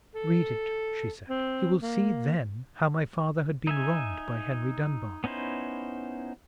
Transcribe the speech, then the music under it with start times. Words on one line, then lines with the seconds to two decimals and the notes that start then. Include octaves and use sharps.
"Read it," she said; "you will see then how my father had been wronged by Henry Dunbar."
0.15 A4
1.29 C4
1.82 A#3
3.67 D#4 E5 G#5
5.24 B3 C#4 D#4 E4 C5